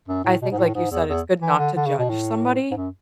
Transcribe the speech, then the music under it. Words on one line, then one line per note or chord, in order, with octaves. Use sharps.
I think, like you said, it's good not to judge somebody
F#2
A2
B2
G#2
A2
G#2
E2
E2
E3
D3
D3
C#3
B2
A2
G#2
F#2